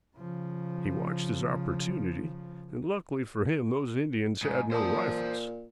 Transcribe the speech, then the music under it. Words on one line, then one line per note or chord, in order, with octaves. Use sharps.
He watched his opportunity, and luckily for him those Indians had no rifles.
C#3 F3
G#2
A#2 C5 A5